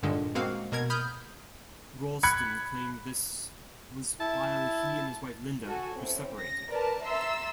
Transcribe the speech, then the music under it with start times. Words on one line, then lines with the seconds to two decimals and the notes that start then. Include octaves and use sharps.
Ralston claimed this was while he and his wife Linda were separated.
0.03 G2 A#2 D3 D#3 G#3
0.35 G#3 A#3 C4 F#4 F5
0.72 B2 A#4 G#6
0.90 B5 D#6 F6 G6
2.23 B5 F#6 G#6 C#7
4.20 E4 A5
5.66 F#4 A4 G#5
5.97 C4 C#4 E4
6.36 A#6
6.69 A#4 B4 D5 A5
7.03 E5 A#5 C6 E6 A6